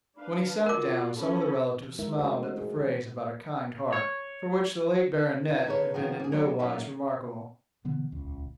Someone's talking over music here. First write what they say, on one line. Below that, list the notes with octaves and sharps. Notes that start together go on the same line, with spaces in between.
When he sat down some of the relatives smiled at the phrase about a kind heart, for which the late baronet had been in no wise remarkable.
D4 B4 F5
F4 F#4 A#4 D5 D6
C#4 A4 B5
E3
G#3 D#4 E4 A#4 E5
A3 D4 E4 F#4 C5 D#5
G#4
E3
C#5
D#3 E4 F4 B4
D3 A#3 D#4 G#4 B4 C#5
D#3 F3 B3 F4 F#4 G#4
A#3 G#4
D#3 F#3 G3 A3 A#3 C#4
F#3 A#3 C#4 D#4 E5
B2 D3 E3 B3
D#1 C#2